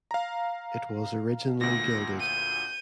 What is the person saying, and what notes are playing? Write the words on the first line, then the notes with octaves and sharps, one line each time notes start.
It was originally gilded.
F5 A#5
D2 A#2 A#6
G6 D#7